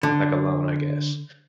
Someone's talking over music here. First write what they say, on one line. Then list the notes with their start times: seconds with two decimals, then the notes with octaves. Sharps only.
like, alone I guess,
0.03 D3